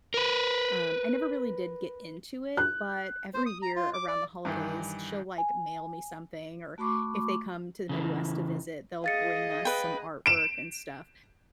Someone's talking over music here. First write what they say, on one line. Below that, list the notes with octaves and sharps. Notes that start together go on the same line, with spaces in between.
Um, I never really did get into it, but every year around the holidays, she'll, like, mail me something or if they come to the Midwest to visit, they'll bring us some artwork and stuff.
A#4 B4
F#6
C5
D#6
A#5
F4
D6
D5
G2 D#3 E3
G#5
A3 F#4 B5 C#6 D6
C#3 E3
G#4 D#5 F5 A6 C#7
B4 G5
D7 E7